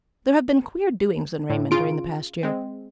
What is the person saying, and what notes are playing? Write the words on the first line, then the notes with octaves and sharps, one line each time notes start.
There have been queer doings in Raymond during the past year.
A2
C#3 F4 D7
G#3 C4